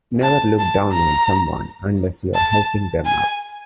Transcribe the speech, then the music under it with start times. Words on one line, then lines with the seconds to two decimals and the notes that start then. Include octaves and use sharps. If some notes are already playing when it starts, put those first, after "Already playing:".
Never look down on someone unless you're helping them up.
0.23 A5
0.59 A5
0.93 A#5
2.35 A5
3.06 G#5